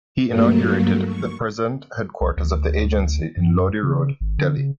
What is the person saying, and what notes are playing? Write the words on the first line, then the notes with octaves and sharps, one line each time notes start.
He inaugurated the present headquarters of the agency in Lodhi Road, Delhi.
G2 F#3 A3 A#3
C#6
C2
D2
F#2
C#3
G#1
D3
C#3